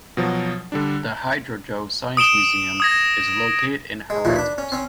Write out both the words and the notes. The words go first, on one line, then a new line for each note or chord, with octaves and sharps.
The Hidrodoe science museum is located in Herentals.
B2 F3 F#3
D3 G3 D4
D#6 D7 E7 G7
D#6 G#6 A#6
G#3
D#2 A#2 E3 F3
D4 B5
C#4
C4 C#4